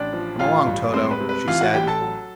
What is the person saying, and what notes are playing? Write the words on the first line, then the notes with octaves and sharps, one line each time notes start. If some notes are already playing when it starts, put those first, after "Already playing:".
"Come along, Toto," she said.
Already playing: A1 D4 D5
F3
A1 F4 F5
G2
G#3 C4 C5
B4
C3
B4
E3 F4 F5
F#4 F#5
A1 G4 G5
A4 A5
F#3